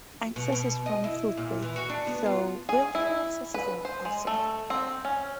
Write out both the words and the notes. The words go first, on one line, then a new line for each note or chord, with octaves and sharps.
Access is from a footbridge, so wheelchair access is impossible.
B2
B2
D#5
E4
A#2
E3
F#4
D4
B3
F4
G#4
E4
B4
C5
G#3
A3
C4
C#4